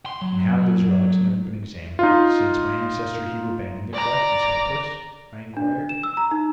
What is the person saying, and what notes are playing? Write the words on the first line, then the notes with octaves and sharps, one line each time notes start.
"And have those relics never been examined since my ancestor Hugh abandoned the quest as hopeless?" I inquired.
C6
F#3
D#4 F4
D5 A#5
D4
E7
E6
A#5
D#4